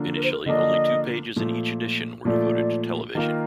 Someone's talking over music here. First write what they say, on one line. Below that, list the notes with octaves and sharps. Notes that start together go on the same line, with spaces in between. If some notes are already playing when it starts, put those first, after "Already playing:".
Initially only two pages in each edition were devoted to television.
Already playing: D3 F3 A#3 D4
A#4
C5
A#4
D3 F3 A#3 D4 D#5
A#2 F3 A3
A#2 F3 A3 D5
D#3 A#3 F4 A#4